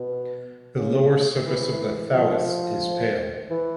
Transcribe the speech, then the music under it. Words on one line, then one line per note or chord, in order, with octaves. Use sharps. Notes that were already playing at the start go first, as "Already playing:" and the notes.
The lower surface of the thallus is pale.
Already playing: B2
C#3
E3
F3
E3